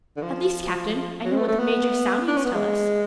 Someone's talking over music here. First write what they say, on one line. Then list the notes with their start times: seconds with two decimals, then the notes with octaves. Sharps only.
"At least, captain, I know what the major soundings tell us."
0.17 D3
0.22 F3
1.25 F#3
1.32 G#3
1.36 A3
1.48 A3
1.59 B3
2.28 D4
2.36 C#4
2.45 B3
2.54 G#3